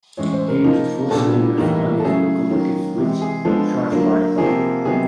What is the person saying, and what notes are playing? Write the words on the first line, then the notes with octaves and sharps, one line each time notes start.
He used four cylinders on his locomotives, which Churchward copied.
A2 E3 G#3 C#4 C#5
C5
A#4
F3 A#3 D#4
A#2 G3 B3 D4 A4
A2 E3 G3 A#3 D#4
A4
C#3 F#3 A3 G#4
D#3 F#3 A#3 C#4
C3 E3 G#3 G4
G#4
F3 G#3 B3 D4 A4
D3 F#3 A#3 D4
C3 F3 A#3 G#4
C3 D#3 F#3 B3 D#4 G#4